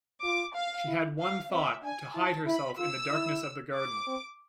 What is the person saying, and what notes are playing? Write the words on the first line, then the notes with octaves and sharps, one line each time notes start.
She had one thought — to hide herself in the darkness of the garden.
F4 D6
F5
E4
F5
C4 E5
D4 G#5
E4 A5
E4 B5
F4 E6
E4
D6
C4